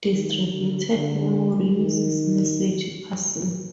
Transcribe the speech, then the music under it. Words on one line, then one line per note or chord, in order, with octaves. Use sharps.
Distributed memory uses message passing.
D#3
D3
D3
D#3